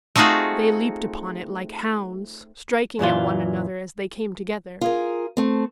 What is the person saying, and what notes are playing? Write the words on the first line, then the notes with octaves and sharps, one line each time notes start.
They leaped upon it like hounds, striking at one another as they came together.
A3 C4 D#4 F4 F#4 G#4
F#2 A#2 E3 F4
F4 G#4 A#4
A3 C4